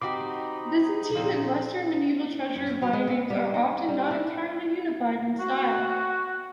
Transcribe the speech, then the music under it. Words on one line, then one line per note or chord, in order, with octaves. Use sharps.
Byzantine and Western medieval treasure bindings are often not entirely unified in style.
C4 D#4 F#4 G4 D#5 B5 D6
A#2 F3 C4
F#2
F#3
G#3
C4
G3
D#4
G3
E4
F#4